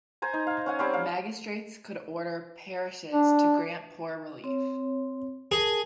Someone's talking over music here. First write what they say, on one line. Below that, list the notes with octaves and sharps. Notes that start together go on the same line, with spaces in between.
Magistrates could order parishes to grant poor relief.
C5 G#5 A#5
D#4
F5
C#4 F#5 G#5
G3 C4 C#4
F5
D4
C4 C#5
G#4 A#4 A5